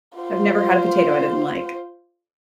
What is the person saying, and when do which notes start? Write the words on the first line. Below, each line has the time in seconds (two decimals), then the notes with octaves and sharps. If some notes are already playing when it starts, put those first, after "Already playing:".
I've never had a potato I didn't like.
0.19 F4 C5